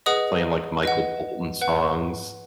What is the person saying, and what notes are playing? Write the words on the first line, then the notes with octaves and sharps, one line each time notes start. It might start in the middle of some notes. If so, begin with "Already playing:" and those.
playing, like, Michael Bolton songs.
G#4 B4 D#5 F#5 D#6
B4 D#5 F#5
B4 F#5